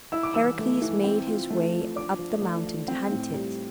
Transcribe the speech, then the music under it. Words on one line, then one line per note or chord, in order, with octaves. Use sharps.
Heracles made his way up the mountain to hunt it.
E4 E6
D6
E3 E6
A3
E3
C4
F4
A3
F3
D4 D6
F3
A3
F3
C4
A2
G3